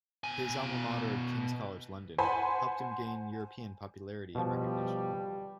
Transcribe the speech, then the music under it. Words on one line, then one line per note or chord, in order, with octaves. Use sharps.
His alma mater, King's College London, helped him gain European popularity and recognition.
B2 G#5
C5 F#5 G#5 A5 B5 C6
B2 F3 G3